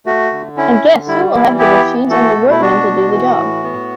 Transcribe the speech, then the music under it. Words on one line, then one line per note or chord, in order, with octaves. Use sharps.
And guess who will have the machines and the workmen to do the job?
A3 F#4
D3
C#4 E4
D3
G3 E4
E3 E4
B3 E4 G4
E3
A3 F#4 A4
B2
E4
D4 F#4
B2
E3
A2
B3